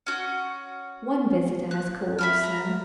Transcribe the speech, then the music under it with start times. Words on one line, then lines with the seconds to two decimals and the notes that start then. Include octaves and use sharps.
"One visitor has called, sir."
0.06 C#4 F#4
1.71 F#6
2.18 E5 B5 F6
2.43 A#5